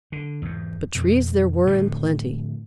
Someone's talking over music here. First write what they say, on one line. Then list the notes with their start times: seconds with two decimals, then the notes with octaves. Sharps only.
But Trees there were in plenty.
0.12 D3
0.42 E2 G#2
0.95 F2 B2
1.67 A2 D3 F3